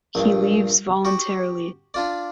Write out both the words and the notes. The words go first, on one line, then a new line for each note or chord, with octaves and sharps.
He leaves voluntarily.
A#1 G2
F#4 G4
D4 F4 D5